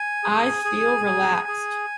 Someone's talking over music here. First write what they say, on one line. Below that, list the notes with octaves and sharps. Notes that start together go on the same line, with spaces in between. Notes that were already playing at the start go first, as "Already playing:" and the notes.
I feel relaxed.
Already playing: G#5
G#4
G#4
G#4
G#4